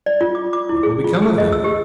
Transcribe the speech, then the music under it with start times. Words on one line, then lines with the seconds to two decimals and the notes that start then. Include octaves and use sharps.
What will become of them?
0.06 D5
0.21 F4
0.35 D6
0.53 D6
0.69 E4
0.83 G#4
1.04 F4
1.22 G#4
1.38 D#5
1.52 E6
1.64 G4